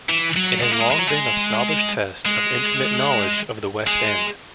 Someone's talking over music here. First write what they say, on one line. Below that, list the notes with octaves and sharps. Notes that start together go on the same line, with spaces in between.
It has long been a snobbish test of intimate knowledge of the West End.
E3
F#3
G#3
A#3
G#3
G#3
F#3
G#3
G#3
G#3